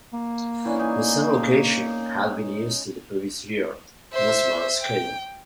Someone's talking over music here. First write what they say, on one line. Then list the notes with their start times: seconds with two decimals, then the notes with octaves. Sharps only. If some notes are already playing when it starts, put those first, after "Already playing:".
That same location had been used the previous year, on a smaller scale.
0.13 A#3
0.65 E3 C#4 D4
0.79 D#4 G#5
4.13 C5 E5
4.80 G5